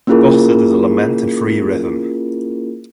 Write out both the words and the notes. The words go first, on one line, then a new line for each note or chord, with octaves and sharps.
Bocet is a lament in free rhythm.
A#3 C#4 E4 F4 G#4 A#4